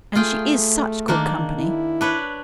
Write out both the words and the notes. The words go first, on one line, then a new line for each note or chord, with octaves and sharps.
And she is such good company.
A3 F4 G#4 G5
D#3 A#3 D4
E4
D4 B4 C#5